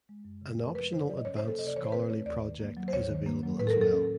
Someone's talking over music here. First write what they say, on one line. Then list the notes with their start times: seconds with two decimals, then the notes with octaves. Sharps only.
An optional advanced scholarly project is available as well.
0.09 G#3
0.25 F#2
0.41 C#3
0.59 A3 A#4
0.75 F3 B4
0.93 C#3 C5
1.00 C#5
1.09 F#3 D5
1.17 D#5
1.25 C#4 C#5
1.37 C5
1.43 A#3
1.48 A4
1.59 C3 D#5
1.67 D5
1.76 E3 C#5
1.84 C5
1.92 C4 B4
2.09 A3 C#5
2.25 D#2 D5
2.43 D#3
2.60 A#3
2.77 F#3
2.88 C5
2.93 D#2 C#5
3.09 D#3
3.26 A#3
3.43 F#3
3.59 A2 B4
3.67 A4
3.70 A#4
3.76 F#3
3.81 A4
3.93 C#4